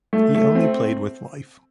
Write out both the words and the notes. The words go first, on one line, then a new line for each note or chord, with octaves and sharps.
He only played with life.
A3
A3
C4